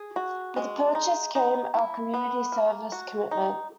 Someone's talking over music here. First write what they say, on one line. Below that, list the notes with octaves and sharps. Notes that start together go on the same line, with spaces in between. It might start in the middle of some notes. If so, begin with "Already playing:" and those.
With the purchase came a community service commitment.
Already playing: G#4
F#4
G#3
D#4
D#4
E4
B3
A#3
F#4
D#4